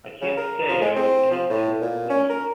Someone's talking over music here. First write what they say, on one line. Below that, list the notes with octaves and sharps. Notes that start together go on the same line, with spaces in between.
I can't say I was any too pleased.
C#3
A#4
F3
G#3
C4
F3
A2
A#2
C#4
A#4